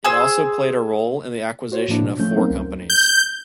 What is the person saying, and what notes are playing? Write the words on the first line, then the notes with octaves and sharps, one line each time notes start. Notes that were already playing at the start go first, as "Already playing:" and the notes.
It also played a role in the acquisition of four companies.
G#4 C5 E6
F#4 C5 C#5
A2 F3 A#3 D4 E4
B2
F3 A3 C#4 G6
F#3 A#3 C4 D#4 A#4 C5
C#2
G6